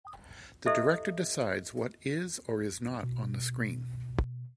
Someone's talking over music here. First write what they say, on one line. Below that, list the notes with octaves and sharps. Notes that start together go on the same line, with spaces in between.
The director decides what is and is not on the screen.
E4 G4 A4 C5 D#5 E5
B2